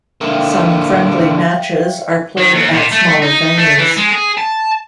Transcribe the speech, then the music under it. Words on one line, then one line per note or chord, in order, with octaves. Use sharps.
Some friendly matches are played at smaller venues.
D3 A#3 E5 F5 G5
D#3
D#2
A#2
A3
D#4
A3
E3
G#3
G#4
A5